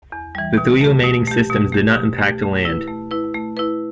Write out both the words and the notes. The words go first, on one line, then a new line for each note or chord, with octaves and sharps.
The three remaining systems did not impact land.
E2
E3 G3
B2
A3 G4
B2
A3 G4
B2
A3 G4
B2
A3 G4
A3
E4 B4
A3
E4 B4
A3
E4 B4